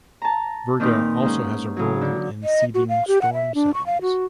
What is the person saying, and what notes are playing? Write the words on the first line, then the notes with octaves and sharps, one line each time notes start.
Virga also has a role in seeding storm cells.
A5 A#5
A#2 D#3 C4 D#4 B4
G#2 C#4
C#3 F#3
D3
D#5
F#4
F5
G4
F#5
E5
D4
C#6
F5
F#4